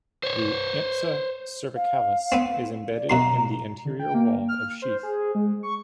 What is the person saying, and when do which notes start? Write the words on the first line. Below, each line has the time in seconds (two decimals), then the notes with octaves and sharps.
The ansa cervicalis is embedded in the anterior wall of sheath.
0.23 C5 C#5
1.76 F5
2.32 B3 C4
2.96 D5
3.10 F#2 B2 A#5 C6
3.85 D3
4.00 G5
4.14 A#3
4.48 F6
4.82 C5
5.03 G#4
5.35 G#3
5.63 C#6